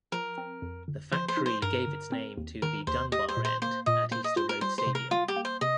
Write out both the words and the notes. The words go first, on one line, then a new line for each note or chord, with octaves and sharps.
The factory gave its name to the "Dunbar End" at Easter Road Stadium.
F3 A#4
C4
F2
G1
F3 C5
C5
D#4
C5
G2 A#4
G1
C4
D#2
D#3 A#4
D#2 C5
G4 D#5
C5
A#2
C5
A#3 C5
A#2 D#5
A#3 C5
D#5
F4 C5
A#4
G3 C5
C5
C3
A#4
G3 F4
G4
A#3
C5
C3 D#5